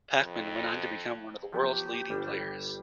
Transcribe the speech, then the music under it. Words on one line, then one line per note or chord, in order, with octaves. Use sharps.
Pachman went on to become one of the world's leading players.
F2
F3 F#3 B3 G4
G1 G3 D4